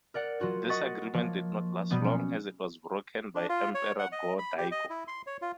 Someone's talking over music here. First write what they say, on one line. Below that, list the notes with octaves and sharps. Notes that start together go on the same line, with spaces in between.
This agreement did not last long, as it was broken by Emperor Go-Daigo.
A#4 D5 F#5
F#3 F4 F#4 C#5
D#5 F#5 C#6 D#6 A6 B6
F3 A#3 C#5
B2 F#3 G3 B3
C#4
D4
F4
C#5
F#5
D#5
B5
G4
D#5
E4
C6
C#5
F4